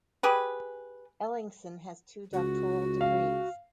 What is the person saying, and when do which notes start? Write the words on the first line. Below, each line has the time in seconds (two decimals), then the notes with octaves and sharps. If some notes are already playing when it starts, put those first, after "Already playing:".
Ellingsen has two doctoral degrees.
0.23 G4 G#4 B4
2.33 C#2 F#4
3.01 F5